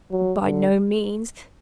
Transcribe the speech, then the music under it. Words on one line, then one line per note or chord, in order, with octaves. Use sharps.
'By no means.
F#3
D3